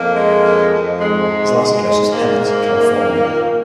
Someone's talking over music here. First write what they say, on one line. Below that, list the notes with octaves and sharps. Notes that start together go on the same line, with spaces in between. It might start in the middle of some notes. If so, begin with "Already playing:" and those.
His last address was Hemet, California.
Already playing: F2 A#3
G#3
F2
F2
G#2 G#3
G#2
G#3
G#2
G#2 A#3
G#2
G#2
D#3
A#2